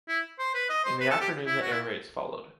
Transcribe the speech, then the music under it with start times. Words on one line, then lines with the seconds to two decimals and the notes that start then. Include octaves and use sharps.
In the afternoon the air raids followed.
0.08 E4
0.39 C5
0.54 B4
0.69 D#5
0.85 C5
1.00 B4
1.10 A4
1.21 G4
1.46 E4
1.62 F#4
1.72 E4